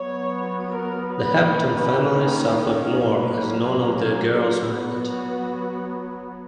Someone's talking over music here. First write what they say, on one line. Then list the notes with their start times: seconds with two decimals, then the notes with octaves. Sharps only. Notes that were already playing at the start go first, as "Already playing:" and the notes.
The Hampton family suffered more, as none of the girls married.
Already playing: F#3 B3 C#5
0.70 A#4
1.10 B4
1.50 D#3 A#3 C#4
3.10 F#3 A#3 C#4 B4
3.90 G#4
4.70 F#3 B3 F#4